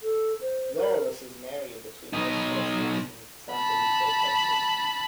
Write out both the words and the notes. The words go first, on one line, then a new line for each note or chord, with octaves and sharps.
Laureles is an area between Los Fresnos and San Benito, Texas.
A4
C5
A#4
B2 D#4
A5 B5